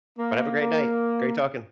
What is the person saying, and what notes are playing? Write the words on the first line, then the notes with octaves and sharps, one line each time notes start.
But have a great night. Great talking.
A#3
A#3